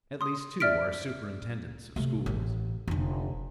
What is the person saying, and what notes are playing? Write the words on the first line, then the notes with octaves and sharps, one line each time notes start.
At least two are superintendents of schools.
C6 D#6
D5 E5 F6 B6 D7
C3 A3
A1
F1 D3